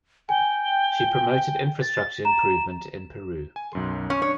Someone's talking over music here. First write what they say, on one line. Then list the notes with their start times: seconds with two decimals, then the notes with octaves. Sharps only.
She promoted infrastructure improvement in Peru.
0.29 G5 G#5
1.82 A6
2.25 A#5 E7
3.56 G#5
3.73 B1 F#2 C6
4.10 C#4
4.22 D4 C#5